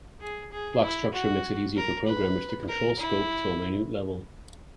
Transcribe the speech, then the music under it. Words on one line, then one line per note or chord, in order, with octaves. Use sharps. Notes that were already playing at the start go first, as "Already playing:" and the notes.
Block structure makes it easier for programmers to control scope to a minute level.
G#4
G#4
E4
F#4
A#4
B4
A#4
E4